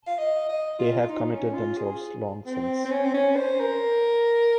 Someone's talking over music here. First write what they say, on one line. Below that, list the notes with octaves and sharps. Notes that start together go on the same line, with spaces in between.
They have committed themselves long since.
F5
D#5
D#5
F4
F4
D#4
C#4
F4
G#4
C4
C4
C#4
C4
C#4
C5
A#4